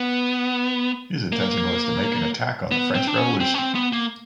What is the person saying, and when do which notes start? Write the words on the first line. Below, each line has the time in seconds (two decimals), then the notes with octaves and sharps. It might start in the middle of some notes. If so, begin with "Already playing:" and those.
His intention was to make an attack on the French Revolution.
Already playing: B3
1.32 A#3
2.71 B3
2.95 C4
3.07 D4
3.17 C#4
3.40 C4
3.54 C#4
3.58 C4
3.75 B3
3.93 A#3